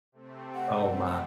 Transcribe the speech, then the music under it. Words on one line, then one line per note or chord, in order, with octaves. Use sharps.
Oh my.
C3 A3 C4
F#5